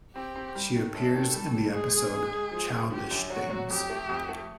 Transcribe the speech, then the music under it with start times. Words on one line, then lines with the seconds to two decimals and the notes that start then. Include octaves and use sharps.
She appears in the episode "Childish Things".
0.15 C4 G4
0.36 C4
0.55 G3
0.75 D#3
0.94 F#2 A4
1.14 D#3
1.34 G3
1.54 G3
1.73 G#3 G#4
1.93 G#3
2.12 G#3
2.32 G#3
2.52 F3
2.72 F3
2.91 D3 G4
3.11 F#2
3.30 F#3 F#4
3.50 F#3
3.70 F2 G4
3.90 A3
4.09 F2
4.29 A3